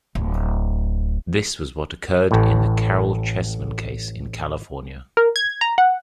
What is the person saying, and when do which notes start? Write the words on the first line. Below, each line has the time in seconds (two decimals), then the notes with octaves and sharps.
This was what occurred in the Caryl Chessman case in California.
0.15 D1
2.31 A1 A2
5.17 A#4
5.36 G#6
5.61 A#5
5.78 F#5